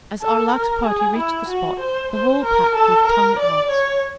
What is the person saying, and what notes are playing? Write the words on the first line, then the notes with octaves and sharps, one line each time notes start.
As Arlac's party reached the spot, the whole pack gave tongue at once.
A4
A#4
G#4
E4
F#4
C5
C5
A#4
A4
A#4
D5
C#5